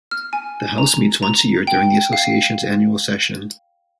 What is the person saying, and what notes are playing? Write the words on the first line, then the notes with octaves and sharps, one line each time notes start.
The house meets once a year during the association's annual session.
F6
G#5
A#5
A#5
G5
F5